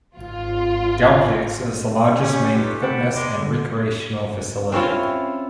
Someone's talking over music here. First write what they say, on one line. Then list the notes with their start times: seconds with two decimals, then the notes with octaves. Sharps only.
Dalplex is the largest main fitness and recreational facility.
0.17 G#1 F4
2.19 C#4 G4 C#5
2.55 C#4 D#4 F4 G4 A4 B4
2.80 F#5 G5 A5 B5 C#6 D6
3.12 E2 G#3 D6
3.37 D3
4.72 C4 C#4 E4 F4